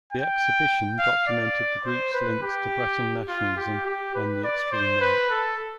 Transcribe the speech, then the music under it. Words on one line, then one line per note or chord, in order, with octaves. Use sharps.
The exhibition documented the group's links to Breton nationalism and the extreme-right.
G5
F5
D5
C5
B4
G4
F4
G4
G4
B4
D5
C5
B4
A4